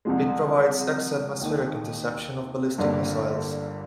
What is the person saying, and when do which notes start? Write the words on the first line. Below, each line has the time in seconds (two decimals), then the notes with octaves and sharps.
It provides exo-atmospheric interception of ballistic missiles.
0.05 C2 C3 F3 G#3
1.41 D#2 D#3 A#3 D#4
2.78 G1 G2 D3 G3 A#3